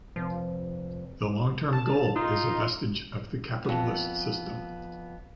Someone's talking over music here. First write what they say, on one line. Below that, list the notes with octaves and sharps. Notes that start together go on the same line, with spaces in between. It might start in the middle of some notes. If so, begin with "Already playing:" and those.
The long-term goal is a vestige of the capitalist system.
F1 F3
A5
D#4 F4
F2 B3